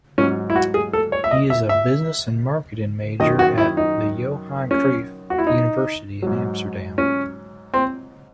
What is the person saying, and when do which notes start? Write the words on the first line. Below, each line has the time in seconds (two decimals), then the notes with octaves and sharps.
He is a Business and Marketing major at the Johan Cruyff University in Amsterdam.
0.18 G#2 F#3 C#4
0.50 E4
0.55 F#4
0.74 G#4
0.93 A4
1.12 C#5
1.24 E5
1.31 D#5
1.50 E5
1.69 E5
3.20 F#2 D#3 F#3 D#5
3.39 F#4
3.58 E4
3.77 D#4
4.71 C#4
5.30 F#4
5.38 E4
5.47 D#4
6.22 G#2 F#3
6.98 C#4
7.74 C4